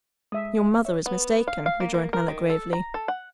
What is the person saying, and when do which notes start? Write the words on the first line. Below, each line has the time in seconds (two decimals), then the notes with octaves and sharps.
"Your mother is mistaken," rejoined Mallow gravely.
0.32 G#3 E5 D#6
0.85 C#5 E5
1.06 B3
1.48 F5
1.66 F5
1.80 A#3
1.94 A#3
2.13 A#4
2.28 D#3
2.50 A4
2.73 A#5
2.94 A4
3.08 F#5